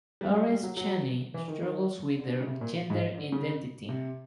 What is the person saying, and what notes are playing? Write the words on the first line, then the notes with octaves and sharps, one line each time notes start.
Lawrence Chaney struggles with their gender identity.
G3
G#3
G3
G3
F#3
F#3
E3
D#3
D#3
D3
C#3
C3
A#2
G#2
D3
C#3
C3